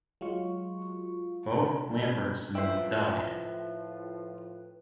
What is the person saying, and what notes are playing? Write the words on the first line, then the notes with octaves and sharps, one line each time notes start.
Both Lambertsons died.
F#3 G#3 F4 C#6
A2 F3 E4 B4 C5 E5 G5